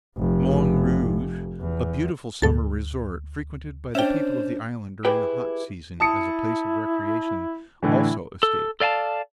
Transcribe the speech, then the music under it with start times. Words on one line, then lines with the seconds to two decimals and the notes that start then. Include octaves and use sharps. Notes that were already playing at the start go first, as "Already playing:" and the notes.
Morne Rouge, a beautiful summer resort, frequented by the people of the island during the hot season as a place of recreation, also escaped.
0.18 F1
1.61 E2
2.42 D2 G#2 A4 A6
3.95 C#4 D4 C5 E5 G5
5.05 E4 G4 G#4 B4 G5
6.00 E4 A5 D#6 C#7
7.83 A2 D3 E3 E4
8.43 A4
8.80 A4 D5 F5 G#5 A5